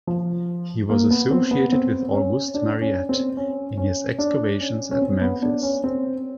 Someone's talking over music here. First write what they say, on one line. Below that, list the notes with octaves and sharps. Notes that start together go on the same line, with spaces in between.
He was associated with Auguste Mariette in his excavations at Memphis.
F3
A#3
B3
C4
B3
C4
C#4
D4
C#4
C4
C#4
C#4
D4
C#4
C#4
C4
B3
D4
C#4
C4